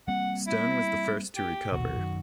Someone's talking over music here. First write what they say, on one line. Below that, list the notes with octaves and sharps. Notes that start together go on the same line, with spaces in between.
Stone was the first to recover.
G3 A#3 C4 F#5
E4
G4
A#1 D#2 B2 F#4
F#2 D#3